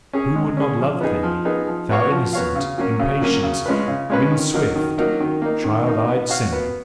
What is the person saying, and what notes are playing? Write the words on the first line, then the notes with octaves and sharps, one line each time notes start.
Who would not love thee, thou innocent, impatient, wind-swift, child-eyed sinner!
C#4 G#4
G#3
C#4 G#4
F3
B3 D#4 G#4
F3
B3 D#4 G#4
F3
B3 F#4 C#5 F5
F3
B3 F#4 C#5 F5
C#3
F#3 A#3 C#4
C#3
F#3 A#3 C#4
C#3
G#3 C#4 F4 B4
C#3
G#3 C#4 F4 B4
D#3
F#3 A#3 D#4 A#4
D#3
F#3 A#3 D#4 A#4
D#3
A#3 D#4
D#3
A#3 D#4
B3
F#4 C#5 F5
B3